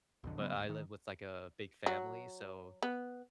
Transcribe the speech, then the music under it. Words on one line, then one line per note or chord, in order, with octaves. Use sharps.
but I live with, like, a big family, so,
B1 F2 D3
C#3 F#3 B3
D2 G#2
D#3
F#3
B3